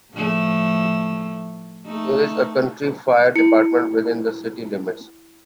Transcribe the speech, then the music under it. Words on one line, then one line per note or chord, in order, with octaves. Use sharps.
There is a county fire department within the city limits.
A2 F3 A3
A3 D#4
E4 C#7